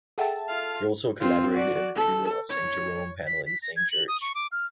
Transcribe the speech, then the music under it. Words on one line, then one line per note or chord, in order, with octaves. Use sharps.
He also collaborated in the "Funeral of Saint Jerome" panel in the same church.
G#4 A4 E5 F#5 G5 A5
F4 F5
C4 F4
F#4 D5
A4
C#5
B6
B6
A#6
G#6
F#7
D#6
C#6
D6
F6